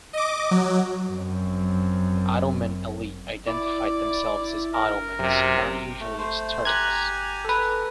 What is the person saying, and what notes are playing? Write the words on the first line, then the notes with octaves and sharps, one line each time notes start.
The Ottoman elite identified themselves as Ottomans, not usually as Turks.
D#5 D6
F#3
F#2 C4
E4 D5
A#4
F#2 C3
A3
A3 C5
G4 G#5 A#5 F#6 G#6
A4 B4